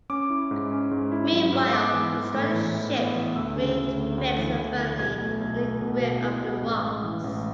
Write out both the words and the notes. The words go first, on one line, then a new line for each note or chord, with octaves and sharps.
Meanwhile, the stranded ship remained fixed firmly in the grip of the rocks.
C#4 D6
E4
G#2
C#4
G#2
E4
F#3
G#2
E6
B3 D6
E3
E4
A2
E3
E4
B3
E3
D2 E6
C#3
D2
D2
D2
E3
D2
E3
B1 G#6
A3
B1
A3
B2
B2
E4
B2
A1
G#3
E3
A1